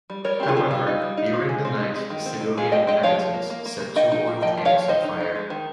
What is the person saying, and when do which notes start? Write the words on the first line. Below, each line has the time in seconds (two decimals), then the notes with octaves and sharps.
However, during the night the civilian inhabitants set two oil tanks on fire.
0.10 G3
0.25 G3 A#4 C#5
0.40 C4 G4
0.48 F4 G#4
0.56 C4
0.71 G3 F4
0.87 D#4
1.02 G3
1.17 D#4
1.34 C4
1.49 G#3
1.65 C4
1.80 D#4
1.95 G#3
2.10 D#3
2.26 C4
2.41 D#4
2.57 G#3 F4 G#4
2.72 C4 D#5 G5
2.87 G#3 D#5 G5
3.03 F3 C#5 F5
3.19 F3
3.34 A#3
3.50 A#3
3.66 A#3
3.81 A#3
3.96 D#4 D#5 G5
4.12 D#4
4.27 A#3
4.42 F3 D#5 G5
4.58 F3
4.65 C#5 F5
4.74 F3
4.88 D#3 C5 D#5
5.04 D#4
5.20 D#4
5.35 G#3
5.50 D#3